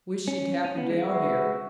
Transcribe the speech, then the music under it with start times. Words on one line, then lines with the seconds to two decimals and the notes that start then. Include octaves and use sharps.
Wish she'd happen down here.
0.28 C#4
0.65 C#4
0.78 B3
0.90 G#3
1.02 F#4 B4 E5